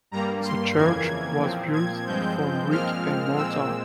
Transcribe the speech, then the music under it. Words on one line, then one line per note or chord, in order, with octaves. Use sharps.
The church was built from brick and mortar.
G2 G3 A#3 A#5
C6
F2 C#3 E3 A#3 G#6
A#2 F3 C4
G#6
G2 F3 G#3 C4 G6
A#2 F3 G#3 C4 F6
A#2 G#3 C4 E6